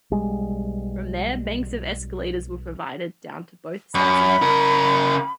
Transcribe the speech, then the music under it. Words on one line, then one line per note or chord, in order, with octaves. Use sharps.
From there banks of escalators were provided down to both sets of platforms.
B1 G3 G#3
F#2 B5
C#3 A#4